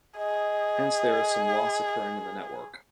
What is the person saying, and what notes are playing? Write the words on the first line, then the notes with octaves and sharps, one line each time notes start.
Hence, there is some loss occurring in the network.
G#4 D#5